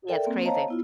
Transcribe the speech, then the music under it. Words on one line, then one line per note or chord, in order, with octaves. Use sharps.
Yeah, it's crazy.
A4 A#4 D5 E5 G5
A#3 C4
C5 C#5 D#5 F5 A5 A#5
B3 E4 F4